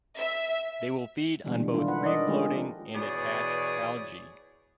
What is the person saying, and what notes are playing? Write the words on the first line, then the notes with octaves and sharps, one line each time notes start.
They will feed on both free floating and attached algae.
E5
B2 D3 E3 G3 G#3
D3
D#3 D4 E4 F4
B4 F#5
D4 D#4 A#4 D5 D#5
D3 F3 G#3 A3 C#4 G4
B2 E3 G#4 C#5 D5